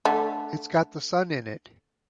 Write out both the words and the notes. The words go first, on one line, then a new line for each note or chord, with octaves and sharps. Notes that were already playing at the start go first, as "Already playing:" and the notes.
It's got the sun in it.
D3 A3